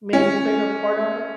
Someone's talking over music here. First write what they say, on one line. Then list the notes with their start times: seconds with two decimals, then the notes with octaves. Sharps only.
maybe played a part on it.
0.13 C#4